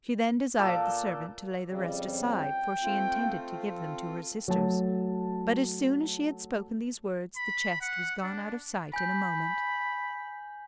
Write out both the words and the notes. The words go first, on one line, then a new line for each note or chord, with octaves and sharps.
She then desired the servant to lay the rest aside, for she intended to give them to her sisters; but, as soon as she had spoken these words, the chest was gone out of sight in a moment.
A#2 A4 D6
F2 C#3 G3
G5
A3 C4 F4
F#3 A3 A5
B5
F#5
D4
G#5 B5 G6